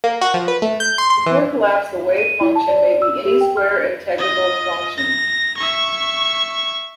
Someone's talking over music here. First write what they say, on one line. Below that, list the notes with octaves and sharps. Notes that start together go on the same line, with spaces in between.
Before collapse, the wave function may be any square-integrable function.
A#3
F#4
F3
B4
A3
G6
C6
C6
E3
D#7
E4
A5
D5
E6
G4
G5
F6
F4 D#5
A#6
E5 C#6